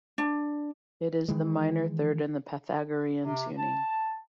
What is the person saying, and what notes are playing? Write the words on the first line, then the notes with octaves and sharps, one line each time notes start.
It is the minor third in Pythagorean tuning.
D4
D#3 E3 G#3
C3
A5